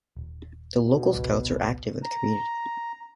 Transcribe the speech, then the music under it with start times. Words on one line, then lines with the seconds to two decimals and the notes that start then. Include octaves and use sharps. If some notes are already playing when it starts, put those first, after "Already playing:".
The local Scouts are active in the community.
0.17 D#1
0.85 B2
1.14 G#1 C#2 G3
2.03 A#5